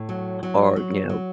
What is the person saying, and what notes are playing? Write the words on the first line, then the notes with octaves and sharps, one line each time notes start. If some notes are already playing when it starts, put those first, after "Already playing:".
or, you know
Already playing: A2
F#3
F#3
F#3
F#3